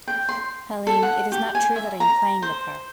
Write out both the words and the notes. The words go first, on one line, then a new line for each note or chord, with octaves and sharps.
Helene, it is not true that I am playing with her.
G5
C6
A4
F#5
G4
G#5
E5
A#5
C5